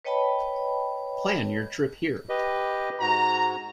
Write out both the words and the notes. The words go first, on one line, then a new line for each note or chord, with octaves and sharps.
Plan your trip here.
B4 C#5 D#5 G5 A5 B5
G4 B4 D#5
G#2 F#4 A#5